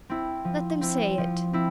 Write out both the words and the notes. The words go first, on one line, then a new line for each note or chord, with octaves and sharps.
Let them say it.
C4 E4
F3
C4 E4
F3
C4 E4